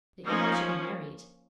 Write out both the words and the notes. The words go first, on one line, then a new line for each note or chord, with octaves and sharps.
'That you are to be married.
F3 A#3 C#4 D#4